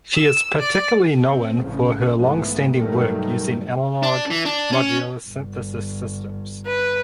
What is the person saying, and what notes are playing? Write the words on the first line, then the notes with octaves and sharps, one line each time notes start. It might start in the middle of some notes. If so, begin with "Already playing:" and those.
She is particularly known for her longstanding work using analog modular synthesis systems.
E6
D5
C4
A1 C#3 F3
B1 G#2 E3 F3 A3 B3
G2 B2 D#3 F#3 G3 A3
D4
E3
D4
C#4
G1
B4